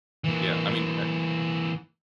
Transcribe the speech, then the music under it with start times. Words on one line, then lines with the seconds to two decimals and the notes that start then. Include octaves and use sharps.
yeah, I mean, uh
0.24 E3 A#3